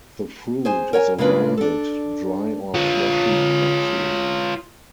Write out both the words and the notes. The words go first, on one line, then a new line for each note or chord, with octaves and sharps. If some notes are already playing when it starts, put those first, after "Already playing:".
The fruit is a rounded, dry or fleshy capsule.
G#4 C5 G#5
A#4 C#5 G5 G#5
C#3 G#3 A#3 D4 F4 B4
D4 A4
F4 C#5